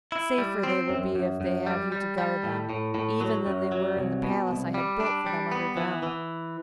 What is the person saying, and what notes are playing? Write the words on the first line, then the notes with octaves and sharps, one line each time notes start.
Safer they will be if they have you to guard them, even than they were in the palace I had built for them underground.
E4
G3
C4
F#2
F#2
F#2
G3
G3
G3
A2
A2
A2
F#3
F#2
F#3
C2
B2
C2
G3
D4
G3
B3
E3
E3